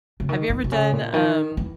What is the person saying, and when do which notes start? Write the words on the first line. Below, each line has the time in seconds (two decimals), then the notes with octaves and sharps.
Have you ever done, um
0.20 C#3
0.29 D#3
0.50 D#3
0.64 B2
0.72 C#3
0.92 A#2
1.13 D#3
1.57 E3